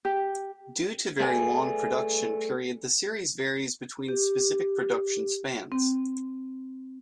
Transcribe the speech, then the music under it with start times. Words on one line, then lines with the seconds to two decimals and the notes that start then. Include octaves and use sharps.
Due to very long production period the series varies between specific production spans.
0.05 G4
1.20 A3 G#4 B4 D5 G5 G#5
4.08 G4
5.72 C4